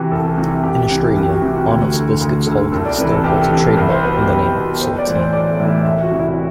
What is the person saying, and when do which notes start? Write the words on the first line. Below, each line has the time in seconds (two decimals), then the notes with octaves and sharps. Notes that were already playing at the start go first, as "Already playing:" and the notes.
In Australia, Arnott's Biscuits Holdings still holds a trademark on the name "Saltine".
Already playing: C3 E3 F#4 G4
0.11 C2 A4
0.38 C3 E3
0.64 C2 G4
0.90 C3 E3
1.16 C2 G4
1.29 F#4
1.42 C3 E3 G4
1.55 F#4
1.67 D2
1.94 D3
2.20 D2
2.46 D3
2.72 C2 A4
2.85 D5
2.98 C3 E3 B4
3.11 A4
3.24 C2 G4
3.42 A4
3.50 C3 E3
3.58 A4
3.77 C2 B4
3.90 C5
4.03 B2 B4
4.16 G4
4.28 C2 B4
4.55 B2
4.80 B1 C5
4.98 D5
5.07 A2 E3
5.15 C5
5.33 B1 D5
5.59 A2 E3
5.67 E5
5.84 C2 E5
6.03 F#4
6.12 C3 E3
6.19 E4